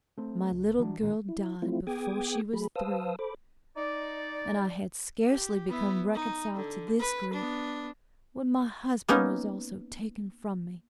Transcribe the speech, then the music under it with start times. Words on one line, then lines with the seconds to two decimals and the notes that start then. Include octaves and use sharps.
My little girl died before she was three; and I had scarcely become reconciled to this grief when my husband was also taken from me.
0.18 A3 C4
0.51 C#2
0.78 E3 F#3 A3 D4
1.00 D#1 A1 D#2 A#2
1.29 E4
1.62 F3 A3 C4 E4 F4
1.87 B3 G#4 G5 D6 D#6 G#6
2.53 F#3 A3 G#4 B5
2.76 B4 C5 F5 A5 D#6 E6
3.19 A4 C5 B5 D6
3.77 D#4 D5
5.26 G4
5.69 B3 E4
6.14 D#4
6.55 D3
7.00 B4
7.33 B3 D4
9.09 A#3 B3 C#4 D#4